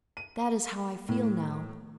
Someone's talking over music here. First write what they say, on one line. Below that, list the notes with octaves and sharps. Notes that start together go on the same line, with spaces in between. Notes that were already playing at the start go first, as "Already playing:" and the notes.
That is how I feel now.
D#7
A2